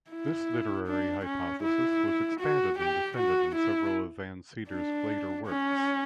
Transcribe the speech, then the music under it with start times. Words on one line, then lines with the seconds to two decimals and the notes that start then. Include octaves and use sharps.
This literary hypothesis was expanded and defended in several of Van Seters' later works.
0.10 E4
0.87 D4
1.25 C#4
1.63 E4
2.40 F#4
2.78 G4
3.17 F#4
3.55 E4
4.70 D4
5.47 C#4